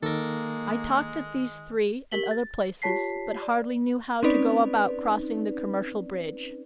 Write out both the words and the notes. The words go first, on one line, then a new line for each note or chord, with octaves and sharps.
I talked at these three and other places, but hardly knew how to go about crossing the commercial bridge.
D#3 G#3 A#3 A4 A#4
G4 A#4 B6 F#7 G7
A6
F4 G4 C#5 A5 B6 C7
D5
C4 C#4 D#4 B4 D5